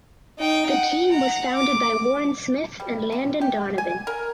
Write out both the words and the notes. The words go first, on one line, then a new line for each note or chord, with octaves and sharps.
The team was founded by Warren Smith and Landon Donovan.
D#4 G5
F#5
F#5 A#5
D6
G3
C3
G4
G#5
A#4